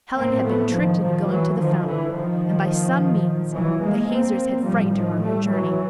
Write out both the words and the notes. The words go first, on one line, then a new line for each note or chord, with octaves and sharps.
Helen had been tricked into going to the fountain, and by some means the hazers had frightened her on her journey.
A2 A#3 C4
A3 B3
D#3 F3
D#3 F3
E3 F#3
D#3 F3
D3 E3
D#3 F3
A#2
E3 F#3
G#3 A#3
A#3 C4
A2 F3 G3
D#3 F3
G3 A3
E3 F#3